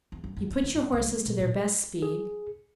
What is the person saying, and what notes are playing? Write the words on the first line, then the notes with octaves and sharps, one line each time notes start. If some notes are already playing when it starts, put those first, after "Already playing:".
"You put your horses to their best speed."
E2
F#2
F#2
D3
D#3
G#2
C2
G#3
B2
A#2
G#4